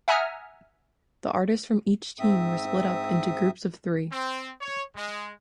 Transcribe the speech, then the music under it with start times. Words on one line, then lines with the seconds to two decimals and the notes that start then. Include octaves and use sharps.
The artists from each team were split up into groups of three.
0.08 E5 F#5 G#5 A#5 D#6 F6
2.19 G#2 C4 E5 D#6
4.12 C4
4.61 C#5
4.96 G#3